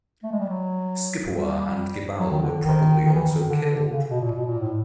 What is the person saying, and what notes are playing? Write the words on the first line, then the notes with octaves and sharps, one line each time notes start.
Scipuar and Gibal were probably also killed.
A3
G#3
G3
F#3
G3
F#3
D#3
D3
D#3
D#3
E3
D#3
D3
D3
D3
C#3
B2
A#2
B2
A#2
A2